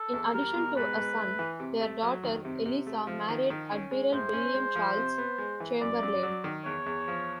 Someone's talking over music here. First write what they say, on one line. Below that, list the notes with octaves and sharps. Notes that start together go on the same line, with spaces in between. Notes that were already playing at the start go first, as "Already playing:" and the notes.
In addition to a son, their daughter Eliza married Admiral William Charles Chamberlain.
Already playing: A4
E2
G3 A#4
B2
G#2 B4
G#2
A3
E3
C3
A3
F#3
D#3
C3
C3
A3
F3
D#3
D#3
C#4
G#3
A2 C5
C#4
G#3
F3
C3
B3
G#3
E3
F#2 D5
F#2
F#3
D#3
E2 C#5
E2
F3